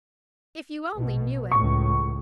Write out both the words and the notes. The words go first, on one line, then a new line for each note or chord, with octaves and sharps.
If you only knew him!
A#1 B2
C#2 A2 C#6